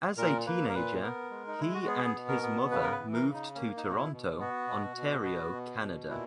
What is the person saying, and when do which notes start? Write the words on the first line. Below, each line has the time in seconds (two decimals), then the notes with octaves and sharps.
As a teenager, he and his mother moved to Toronto, Ontario, Canada.
0.17 A#2 A#4
0.46 A#3 B4
0.69 A#4
0.74 A#2 B4
1.02 B3 A#4
1.31 G#3
1.47 D#4
1.58 G#3 E4
1.74 F#4
1.86 B3 G#4
2.15 B2
2.28 A#4
2.42 B3
2.71 C#3 B4
2.83 A#4
2.92 B4
3.00 E3
3.13 A#4
3.28 C#3
3.34 D#4
3.55 A#3 C#4
3.77 D#4
3.84 B2
3.91 F#4
3.97 E4
4.12 B2
4.40 B3 F#4
4.67 B2
4.97 B2
5.24 B3
5.52 B2
5.80 B2
6.09 A#2 E4